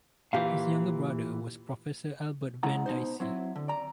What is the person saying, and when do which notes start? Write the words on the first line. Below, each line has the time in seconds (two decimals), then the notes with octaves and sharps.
His younger brother was Professor Albert Venn Dicey.
0.33 A#2 E3 G4 F5
2.63 C#3 G#3 E4 F#5 A#5
2.86 B2 D#4 C5
3.20 F#3 C4 E4
3.56 D3
3.68 D5 A#5